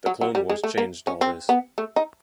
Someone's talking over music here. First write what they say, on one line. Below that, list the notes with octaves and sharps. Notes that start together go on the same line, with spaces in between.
The Clone Wars changed all this.
F#3
F#3
G3
G#3
A3
A#3
C#4
C4
B3
A3
D#4